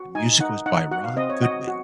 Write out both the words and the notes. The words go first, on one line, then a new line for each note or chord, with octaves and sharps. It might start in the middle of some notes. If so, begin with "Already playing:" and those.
The music was by Ron Goodwin.
Already playing: F#4
D#4 G#5
D#4 F#5
D#4 F#5
F#4 F#5
F5
C4 D#5
C#5
F#4 D#5
F#4